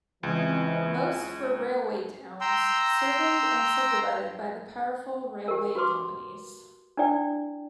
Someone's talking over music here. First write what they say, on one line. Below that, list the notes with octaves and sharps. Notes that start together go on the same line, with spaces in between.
Most were railway towns, surveyed and subdivided by the powerful railway companies.
C#2 E3 C4 D#5 G#5
G5 A#5 C6 E6
G4 A#4
F#4 G4 B4 C6 D6
D4 E4 D5 G5